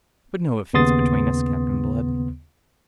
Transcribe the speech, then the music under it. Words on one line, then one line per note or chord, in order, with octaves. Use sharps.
"But no offence between us, Captain Blood!"
D#2 C#3 B3 C6 D#6 A6